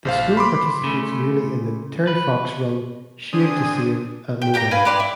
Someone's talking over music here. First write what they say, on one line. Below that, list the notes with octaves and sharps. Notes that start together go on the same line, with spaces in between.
The school participates yearly in the Terry Fox Run, Shave to Save and Movember.
A#1 C5 F5
B5 C6 D6
C#3 A3
B4
D3 C4 D4 G#4 G#5 D#6
G5
G4 G5 A5 A#5
B4 F5 G#5
G4 B4 D5 C6
E4